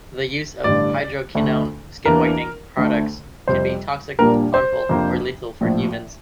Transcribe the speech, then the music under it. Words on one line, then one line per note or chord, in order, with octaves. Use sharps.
The use of hydroquinone skin-whitening products can be toxic, harmful or lethal for humans.
A1 G2 D3 D5
D2 D3 A3 D4
E2 E3 A#3 D4 A#4
D2 D3 A3
F2 C3 G3 C5
A#1 A#2 G3 A#3 D4 A#4
C5
F2 C3 F3 A#3 D4
A#1 A2 F3